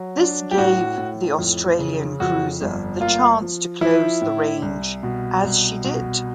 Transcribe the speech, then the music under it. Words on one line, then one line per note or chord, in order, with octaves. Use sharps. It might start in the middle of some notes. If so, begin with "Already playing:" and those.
This gave the Australian cruiser the chance to close the range, as she did.
Already playing: F#3
D4
G4
A2 F#4
A2
F2
C#3
F2 F#4
G1
A#3 F4
F3
F3 E4
A2
C2
B2
C2
B2